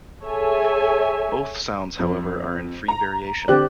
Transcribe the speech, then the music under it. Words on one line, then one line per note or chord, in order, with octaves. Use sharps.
Both sounds, however, are in free variation.
G#4 A4 C#5 E5 G#5
F2
A#5
D3 C4 G4 D5 F#6